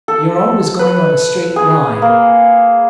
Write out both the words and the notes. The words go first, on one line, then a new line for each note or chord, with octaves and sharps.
"You're always going on a straight line."
A4
B4
G#4
A#3